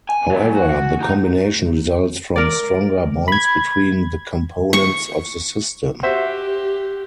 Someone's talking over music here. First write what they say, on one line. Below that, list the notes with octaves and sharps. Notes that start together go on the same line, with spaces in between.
However, the combination results from stronger bonds between the components of the system.
G#5
A#2 F#3
F#4
D#4 A#5
A#4 D5
B5 G#6
C#6
F#4 G4 C5 E5